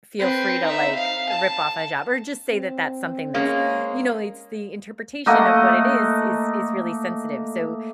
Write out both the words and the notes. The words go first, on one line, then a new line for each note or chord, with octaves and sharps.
feel free to, like, rip off a hijab or just say that that's something that's you know, it's the interpretation of what it is, is is really sensitive. So
C4 B4
D#4 E5
F5
A5
C4
G#3 A#3 C#4
A3 A#3 D#5 F#5